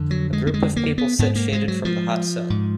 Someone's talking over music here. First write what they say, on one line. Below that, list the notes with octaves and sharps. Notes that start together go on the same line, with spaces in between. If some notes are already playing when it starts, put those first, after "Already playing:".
A group of people sit shaded from the hot sun.
Already playing: F2 D3
F#3
G#3
A#3
G#3
A#3
B3
G#2 B3
A#3
G#3
F#3
F3
G#2